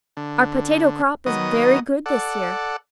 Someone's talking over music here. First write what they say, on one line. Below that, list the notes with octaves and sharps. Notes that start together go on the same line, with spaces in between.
Our potato crop is very good this year.
D3
D#3 F#3 B3 D#5 D#6
A4 D5 F#5